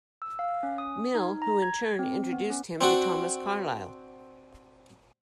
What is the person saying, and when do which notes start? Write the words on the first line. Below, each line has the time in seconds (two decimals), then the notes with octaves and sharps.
Mill, who in turn introduced him to Thomas Carlyle.
0.22 E6
0.39 F5
0.63 C#4
0.78 D#6
1.15 D#4
1.42 A#5
1.62 G#6
1.99 C4
2.33 B3
2.50 C#4
2.81 C4 D4 F#4